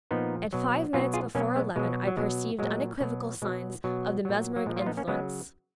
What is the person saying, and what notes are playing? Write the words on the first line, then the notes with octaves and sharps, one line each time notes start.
At five minutes before eleven I perceived unequivocal signs of the mesmeric influence.
A#2 F3 B3 D#4
B2 F#3
B2 F#3 C#4 F4
F4 G#4
B2 F#3 A#3 C#4
G#3 B3
B2 F#3 G#3
F#3
B2 F#3 G#3
A#2 F#3 G#3
B2 F#3
B2 F#3 G#3
B2 F#3
A#2 F#3
F#3
A#2 F3 G#3
F#3 A#3
F4
B3 D#4
A#3 C#4
C#3 F#3 G#3 B3